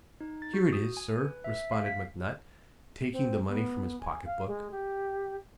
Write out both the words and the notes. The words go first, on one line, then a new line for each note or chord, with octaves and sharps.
"Here it is, sir," responded McNutt, taking the money from his pocket-book.
D#4
A6
F#4
D#6
G#5
B4
E5
F5
B6
C4
B3
G#5
F5
G#3
G4